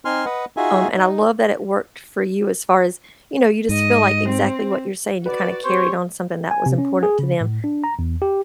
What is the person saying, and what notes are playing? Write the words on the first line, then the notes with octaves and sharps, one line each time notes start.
um, and I love that it worked for you as far as, you know, you just feel like exactly what you're saying, you kinda carried on something that was important to them,
C4 D#4 G#5 C6 F6
B4 D#5 F#5
D#4 F4 F#4 G#4 E5 G#5
D#4
G#2 D#5
C4
F#4 B4 D5
C4 G4 C5 C#5 C#6
G#5
C3
C#4
G#4
C#3
A2
D4
A#5
E2
G4